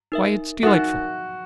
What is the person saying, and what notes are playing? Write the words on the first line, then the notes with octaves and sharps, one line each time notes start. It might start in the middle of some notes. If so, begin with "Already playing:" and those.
Why, its delightful!'
D#4 A#4 E5
D#4 F#4 A#4 E5